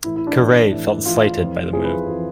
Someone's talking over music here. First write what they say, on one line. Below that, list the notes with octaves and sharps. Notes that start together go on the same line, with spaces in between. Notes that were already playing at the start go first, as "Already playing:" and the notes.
Caray felt slighted by the move.
A2 E3 E4
E4
D4
A2 E3
A2 E3
A2 E3 F4
F2 E3
F2 E3 G#4
B4
F2 E3